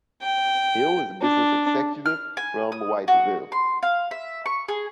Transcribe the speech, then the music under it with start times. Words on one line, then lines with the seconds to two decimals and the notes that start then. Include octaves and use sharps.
Hill is a business executive from Whiteville.
0.22 G5
1.21 D4
2.06 F6
2.37 G#5
2.72 D#6
3.08 F#4
3.52 C6
3.83 F5
4.11 E5
4.46 C#6
4.68 G#4